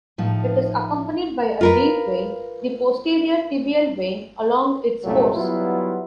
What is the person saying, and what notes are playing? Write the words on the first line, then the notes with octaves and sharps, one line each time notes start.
It is accompanied by a deep vein, the posterior tibial vein, along its course.
A2 F3 D#4
F4 A#4 B4
C2 F#2 A#2 F#3 A3
F#3 G3 B3 E4 F4